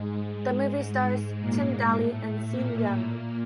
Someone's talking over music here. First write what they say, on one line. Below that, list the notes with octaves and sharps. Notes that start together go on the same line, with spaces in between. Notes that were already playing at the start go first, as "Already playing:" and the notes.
The movie stars Tim Daly and Sean Young.
Already playing: G#2 G#3
A#2 A#3
A2 A3
A#2 A#3
A#2 A#3